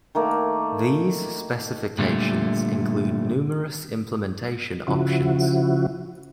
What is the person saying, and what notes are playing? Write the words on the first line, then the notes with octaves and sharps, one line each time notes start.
These specifications include numerous implementation options.
D#3 A3 A#3
A#2 D3 G3 A3
C#3 F3 E4 F#4